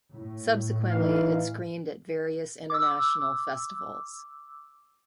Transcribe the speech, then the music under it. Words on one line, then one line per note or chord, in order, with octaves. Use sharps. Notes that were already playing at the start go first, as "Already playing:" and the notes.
Subsequently, it screened at various international festivals.
A2
E3 D#4 F5
D6 E6